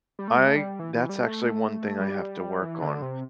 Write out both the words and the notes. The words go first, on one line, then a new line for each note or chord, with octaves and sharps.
I that's actually one thing I have to work on.
G3
A3
G3
A3
G3
E3
E3
G3
A3
G3
E3
D3
C3